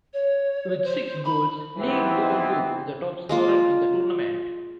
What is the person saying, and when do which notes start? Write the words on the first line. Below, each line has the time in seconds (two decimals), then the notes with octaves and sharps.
With six goals, Lee Dong-Gook is the top scorer in the tournament.
0.13 C#5
0.83 C5
1.24 B5
1.77 G#2 C3 E3 B3 C4 E4
3.29 G#3 A#3 F4